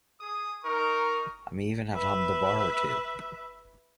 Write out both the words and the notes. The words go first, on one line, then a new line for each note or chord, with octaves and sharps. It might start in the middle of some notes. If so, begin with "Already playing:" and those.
I may even have hummed a bar or two.
G#4 D#6
D#4 A#4 C#6
B4 E5